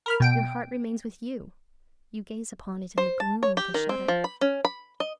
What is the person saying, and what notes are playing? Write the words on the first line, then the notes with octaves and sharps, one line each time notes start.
Your heart remains with you, you gaze upon it in the gloom with a shudder.
A#4 B5 F6
B2 G5 D7
C5
A5
C#5
G4
D#3
C4
F3
B5
C#4
B5
D#5